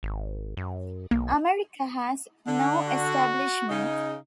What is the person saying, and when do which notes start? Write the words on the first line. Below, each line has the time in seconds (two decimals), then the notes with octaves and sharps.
America has no establishment.
0.03 G#1
0.57 F#2
1.11 B1 A#3
2.48 D3
2.88 F#4
3.70 C#3 D#4